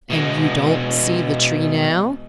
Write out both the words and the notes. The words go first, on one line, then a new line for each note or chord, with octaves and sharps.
"And you don't see the tree now?"
B2 G#3